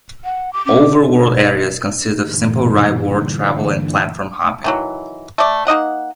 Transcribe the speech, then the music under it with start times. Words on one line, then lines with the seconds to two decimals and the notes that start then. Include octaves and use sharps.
Overworld areas consist of simple rightward travel and platform hopping.
0.24 F#5
0.53 D6
0.66 C#4 D6
2.19 G2 A#2 D3 E3
4.64 D#3 E3 F#3
5.38 A3 D5
5.67 A#3 D#4 D#5 F#5